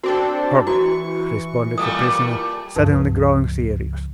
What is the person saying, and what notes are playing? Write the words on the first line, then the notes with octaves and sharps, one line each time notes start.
"Hum!" responded the prisoner, suddenly growing serious.
C4 D4 F#4 A4
E3 E4 F#4 C#6
A#2 G3 A3 D#6
C#2 G2 F3